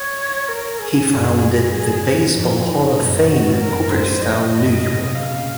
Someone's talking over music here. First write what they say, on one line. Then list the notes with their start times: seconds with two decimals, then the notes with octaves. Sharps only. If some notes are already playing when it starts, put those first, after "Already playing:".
He founded the Baseball Hall of Fame in Cooperstown, New York.
Already playing: C#5
0.48 A#4
0.79 G#4
1.10 F#2
1.72 F#2 G#4
2.35 F2 G#2
2.66 D#4
2.97 F#2 A#2
3.29 F#4
3.59 F#2 A#4
3.90 F2 G#2 C5
4.21 D#5
4.53 F#2 A#2
4.84 G#2 C3 D#5
5.15 A#2 C#3 F5